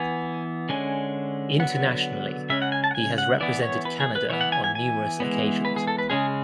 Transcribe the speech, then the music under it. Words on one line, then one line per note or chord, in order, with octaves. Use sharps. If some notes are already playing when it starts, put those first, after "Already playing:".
Internationally, he has represented Canada on numerous occasions.
Already playing: E3 B3 G#5
D3 G#3 C#4 G#5
D3 F#3 B3 F#5
C#3 G#3 C#4 E5
F#5
G#5
A5
F#5
G#5
F#5
E3 B3 D5
C#5
B4
G#4
B4
E3 B3 C#5
F#5
G#5
G#5
G#5
E3 G#3 B3
B4
G#4
A4
B4
C#3 G#3 C#4 G#4